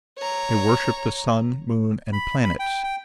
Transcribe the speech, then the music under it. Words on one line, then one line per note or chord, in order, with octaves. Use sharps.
They worshipped the sun, moon, and planets.
C#5 A#5
B5
B5
G5
G5